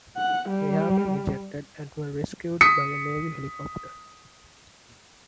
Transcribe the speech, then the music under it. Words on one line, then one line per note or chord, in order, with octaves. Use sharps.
The airmen ejected and were rescued by a Navy helicopter.
F#5
G3
D#6 B6 C#7